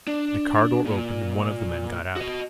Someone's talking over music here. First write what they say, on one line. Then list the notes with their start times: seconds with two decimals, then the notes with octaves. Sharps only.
The car door opened, and one of the men got out.
0.07 D4
0.85 A#2
2.16 F#4 D#5